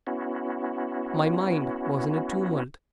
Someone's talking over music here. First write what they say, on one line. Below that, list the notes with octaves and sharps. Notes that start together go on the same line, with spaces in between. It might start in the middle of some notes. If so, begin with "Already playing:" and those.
My mind was in a tumult.
B3 C#4 E4 F#4